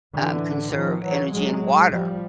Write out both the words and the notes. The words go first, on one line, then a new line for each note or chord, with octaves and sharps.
um, conserve energy and water,
A2 D3 E3
D#3 F3
E3 F#3
A2 F#3 G#3
F3 G3